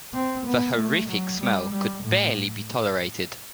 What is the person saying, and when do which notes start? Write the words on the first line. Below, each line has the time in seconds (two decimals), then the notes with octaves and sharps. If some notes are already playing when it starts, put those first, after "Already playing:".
The horrific smell could barely be tolerated.
0.14 C4
0.46 B3
0.77 A3
1.09 F#3
1.40 G3
1.72 G3
2.04 A2